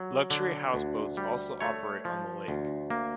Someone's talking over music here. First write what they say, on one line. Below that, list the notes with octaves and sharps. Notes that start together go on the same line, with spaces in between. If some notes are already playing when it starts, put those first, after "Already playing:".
Luxury houseboats also operate on the lake.
Already playing: F#3
D3
D2
G3
A3 C#5
F3
D2
A#3